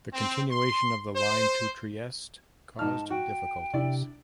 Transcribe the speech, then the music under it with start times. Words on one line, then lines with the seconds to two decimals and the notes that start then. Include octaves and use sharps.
The continuation of the line to Trieste caused difficulties.
0.12 C4
0.49 C6
1.15 C5
2.79 G#2 D#4 A5 F6
3.10 F#4 G5
3.74 C3 D4 E4 D5